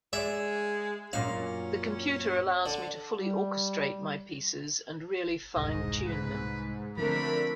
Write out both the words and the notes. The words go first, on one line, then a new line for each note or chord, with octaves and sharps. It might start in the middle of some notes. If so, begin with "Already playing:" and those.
The computer allows me to fully orchestrate my pieces and really fine tune them.
G#3 D5 E5
F#2 A#2 C#4 F5
D3
G3
E1 C2 G#2 D#5
C2 G#3 B4
D3 F3 A3 C4 D4 A#4 B5